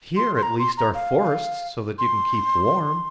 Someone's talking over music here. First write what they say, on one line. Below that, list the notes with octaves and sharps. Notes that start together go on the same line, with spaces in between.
Here at least are forests so that you can keep warm.
C6
C6
A#5
C6
A#5
F5
C6